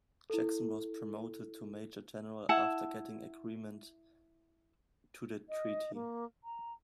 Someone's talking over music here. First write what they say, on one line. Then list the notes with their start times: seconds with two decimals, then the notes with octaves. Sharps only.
Jackson was promoted to Major General after getting agreement to the treaty.
0.30 E4 A4
2.49 E4 F#5 A5
5.49 D#5
5.94 A#3
6.43 A#5